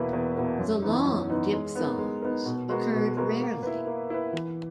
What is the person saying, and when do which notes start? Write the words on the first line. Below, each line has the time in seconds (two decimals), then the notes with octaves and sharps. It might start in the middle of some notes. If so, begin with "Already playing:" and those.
The long diphthongs occurred rarely.
Already playing: E2 B2 A#3 E4 B4
0.13 E2
0.36 B2 A#3 E4 B4
0.59 F#2
0.82 E3 B3 D#4
1.06 F#2
1.29 E3 B3 D#4
1.53 G#3
1.75 B3 D#4 A#4
1.99 G#3
2.22 B3 D#4 A#4
2.46 B2
2.69 G#3 B3 F#4 A#4
2.93 B2
3.17 G#3 B3 F#4 A#4
3.40 A#3
3.63 E4 B4
3.87 A#3
4.10 E4 B4
4.33 E3